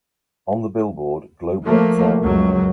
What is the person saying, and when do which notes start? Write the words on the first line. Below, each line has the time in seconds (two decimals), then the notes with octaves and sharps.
On the "Billboard" Global Excl.
1.64 F3 A3 A#3
2.21 C#2 F#2 F#3